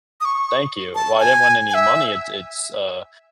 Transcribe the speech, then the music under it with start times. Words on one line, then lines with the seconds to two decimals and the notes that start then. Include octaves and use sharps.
Thank you while I didn't win any money, it's it's a
0.21 D#6
0.25 C#6
0.95 A5
1.20 G#5
1.69 G#5
1.74 E5